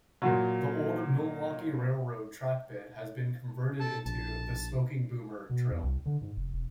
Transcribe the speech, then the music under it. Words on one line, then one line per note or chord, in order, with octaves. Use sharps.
The old Milwaukee Railroad track bed has been converted into the "Smoking Boomer" trail.
A#2 F#3
A4 A5
A#1 A5
B2
E2
C2
D3
G#2
F1
E1